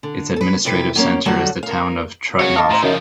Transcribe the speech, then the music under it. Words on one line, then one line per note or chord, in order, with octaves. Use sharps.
Its administrative center is the town of Trutnov.
D3
A4 B4
E2 C3 B4
F#3 A#3 C#4
D3 F#3 G3 A3 F#4
A#4 F5
F#2 C#3 F#3 F#4 C#5
A1 D#5 F5 A5
A2 A#5 C6
F#2 C#3 F3 D#4